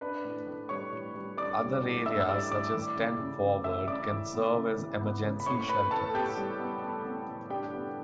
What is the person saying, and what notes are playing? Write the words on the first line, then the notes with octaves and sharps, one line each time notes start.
Other areas, such as Ten Forward, can serve as emergency shelters.
D4 B4 B5
A2
A2
G3 C#5 C#6
A2
G3
D4 D5 D6
G3
A2
D4 E5 E6
E6
G3 D5 D6
A2 D5 D6
E3
C#3
C#3
C#3
C#3 E5 E6
C#3 D5 D6
E3
B3
C#3
E3
B3
C#3
B5
A2 C#5 C#6
A2 B4 B5
A2 A4 A5
B3 G4 G5
G3
B3
B3
B3
A2
D4 G4 G5
B3